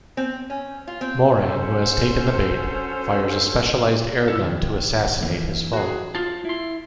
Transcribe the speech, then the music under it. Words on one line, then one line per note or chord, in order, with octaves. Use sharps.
Moran, who has taken the bait, fires a specialized air-gun to assassinate his foe.
C4
C#4
F4
C4
C#4 F#4 A4 C5
E4 A4
D#2
E3 A#3
F#4 G#4
F4 A5
E4 C6